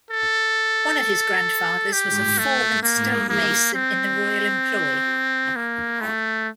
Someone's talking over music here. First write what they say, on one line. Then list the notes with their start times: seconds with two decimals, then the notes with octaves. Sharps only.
One of his grandfathers was a foreman stonemason in the royal employ.
0.11 A4
1.92 G4
2.38 A3
2.83 A#3
3.29 A#3
3.74 C4
5.56 A#3
6.01 A3